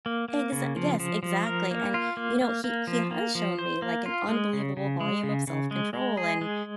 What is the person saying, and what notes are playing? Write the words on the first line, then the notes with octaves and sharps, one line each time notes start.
Exa Yes, exactly, and, you know, he he has shown me, like, an unbelievable volume of self-control, and,
A#3
A#3
C#3
F3
F3
F3
A#4
A#3
F4
A#3
A#3
A#3
F3
A#3
F3
C5
A#3
F4
G#3
C#3
C#3
G#3
C#3
C#3
G#3
G#3
G#4
G#3